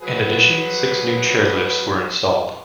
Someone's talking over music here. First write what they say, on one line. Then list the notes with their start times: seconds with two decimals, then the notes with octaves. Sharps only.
In addition six new chairlifts were installed.
0.02 F#3 G#4 B4